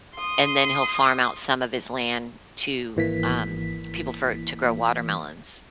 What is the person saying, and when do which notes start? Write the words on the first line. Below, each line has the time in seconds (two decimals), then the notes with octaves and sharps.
and then he'll farm out some of his land to, um, people for to grow watermelons.
0.15 C6 D#6
2.97 G#1 E3 A#3 B6